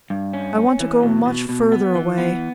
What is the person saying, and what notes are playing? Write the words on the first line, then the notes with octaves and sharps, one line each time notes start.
I want to go much further away.
G2
C#4
C#4
E3
B2
B2
B2
B3
E3
B3